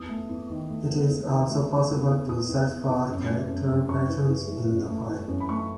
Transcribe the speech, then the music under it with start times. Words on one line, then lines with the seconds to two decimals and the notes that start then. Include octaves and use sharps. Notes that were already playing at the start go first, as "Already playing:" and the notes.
It is also possible to search for character patterns in the file.
Already playing: E2 D#6
0.09 A3
0.29 E2
0.50 D#3
0.69 A3
0.89 E2
1.09 E2
1.30 D#3
1.49 A3
1.70 D#3
1.89 E2
2.09 E2
2.29 E2 D#6
2.49 E2
2.69 E2
2.89 E2
3.09 F#2
3.29 A3
3.49 F#2
3.68 F#2
3.89 F#2 C#6
4.08 E3
4.29 E3
4.48 E3
4.69 F#2
4.88 A3
5.09 E3
5.28 F#2
5.40 B5
5.49 A3 C#6